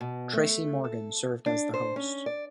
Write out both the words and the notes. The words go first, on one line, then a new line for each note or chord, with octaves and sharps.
Tracy Morgan served as the host.
B2
A3
A4
D4
C5
C#4
D5